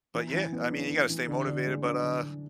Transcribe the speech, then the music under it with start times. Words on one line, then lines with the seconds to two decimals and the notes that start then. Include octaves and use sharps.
But yeah, I mean, you gotta stay motivated, but, uh,
0.15 E3
0.33 E3
0.52 B3
0.71 D4
0.91 E3
1.10 E3
1.28 D3
1.47 D3
1.66 G#3
1.85 D4
2.03 D3
2.22 D3